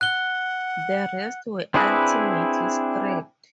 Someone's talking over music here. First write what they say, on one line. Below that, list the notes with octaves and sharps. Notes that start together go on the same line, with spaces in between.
The rest were ultimately scrapped.
F#5 F#6 G7
C4 D4 E4 G#4 B4